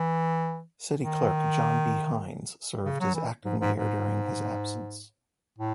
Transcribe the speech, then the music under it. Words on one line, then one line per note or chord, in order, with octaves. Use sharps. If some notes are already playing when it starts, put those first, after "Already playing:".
City Clerk John B. Hynes served as acting mayor during his absence.
Already playing: E3
D#3
C#3
F#3
E3
G#2
G#2
G#2
A2